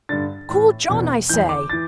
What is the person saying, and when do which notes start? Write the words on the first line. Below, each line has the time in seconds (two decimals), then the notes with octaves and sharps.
Call John, I say!'
0.09 G2 D3 A6
0.49 A2 E3
0.89 E2 B2
1.29 E2 E3 G6
1.49 D6
1.70 E3 A6